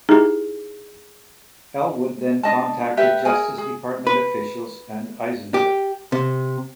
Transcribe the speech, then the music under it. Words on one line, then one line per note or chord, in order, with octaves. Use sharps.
Elwood then contacted Justice Department officials and Eisenberg.
D#4 E4 G4 G#4
D4 D#5 A5
G4 A4 B4 E5
G#4 A#4 G#5
G#4
B4
G4
C3